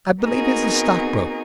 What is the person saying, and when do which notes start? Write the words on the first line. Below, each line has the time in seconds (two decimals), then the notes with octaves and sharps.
I believe he's a stockbroker.
0.21 B3 C4 D#4 F#4 G#4 A#4